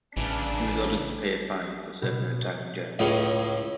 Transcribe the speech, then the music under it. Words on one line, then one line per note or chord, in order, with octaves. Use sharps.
He was ordered to pay a fine, but served no time in jail.
A1 C#3 E3 D4
B2
C#2 A2 C#3 A3